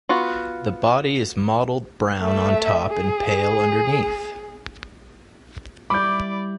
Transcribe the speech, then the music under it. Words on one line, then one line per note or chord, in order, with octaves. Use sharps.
The body is mottled brown on top and pale underneath.
B3 F4 F#4
A3 E5
G#4
G3 E4 D5 B5 D6 G6